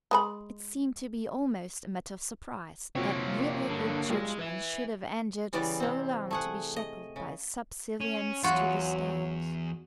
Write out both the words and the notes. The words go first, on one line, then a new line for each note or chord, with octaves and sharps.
It seemed to be almost a matter of surprise that really good Churchmen should have endured so long to be shackled by subservience to the State.
G#3 B4 B5
C3 A#3 C4 F4 F#4 C#5
G2 D3
B1 G3 G#3 F4
B4 E5 G#6 E7
C#3 E3 G3 B3 D5
C3 C4
A3 G#4 F#5
D#5
C#3
C#4
E2 F#3 F4 F#4